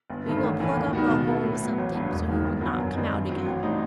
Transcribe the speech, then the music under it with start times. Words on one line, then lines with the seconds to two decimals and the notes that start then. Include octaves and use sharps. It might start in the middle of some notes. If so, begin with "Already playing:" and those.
"We will plug up the hole with something, so he will not come out again!"
0.10 G1
0.26 G2 D#3 A3
0.43 A1
0.60 A2 E3 A3
0.76 D#2
0.93 D#3 G3 B3 F#4
1.10 B2
1.26 A3 E4 A4
1.44 A2
1.60 F#3 B3
1.78 A1
1.95 G2 F#3
2.11 E1
2.28 D#2 D#3
2.44 G1
2.61 G2 F#3 B3 F#4
2.78 F#2
2.95 D#3 G3 C4 D#4
3.12 G2
3.29 F#3 C4 F#4
3.46 A1
3.63 A2 G3 C4 D#4